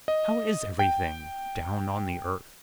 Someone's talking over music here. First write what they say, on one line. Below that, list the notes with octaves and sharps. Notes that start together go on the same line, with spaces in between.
"How is everything down on the earth?"
D#5
G5